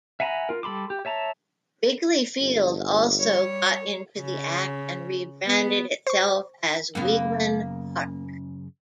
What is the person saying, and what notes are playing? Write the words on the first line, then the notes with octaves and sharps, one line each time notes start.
Wrigley Field also got into the act and rebranded itself as Weeghman Park.
E5 F#5 G#5 A#5 B5
F4 A#4
G3 A4 B5 C6 D6
G4
C#5 E5 A5 A#5
G1
G3 C#5
C#3
B3
C5 C#6
F#2 C#3 A#3 B3